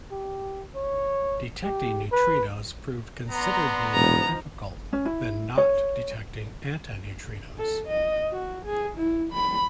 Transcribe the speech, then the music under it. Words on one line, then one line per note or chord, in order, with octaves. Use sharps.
Detecting neutrinos proved considerably more difficult than not detecting antineutrinos.
G4
C#5
G4
B4
B3 D5 A#5 C6
E1 F3 D#4 A#5
C#4
E4
C#5
A4
D#5
F#4
G#4
E4
B5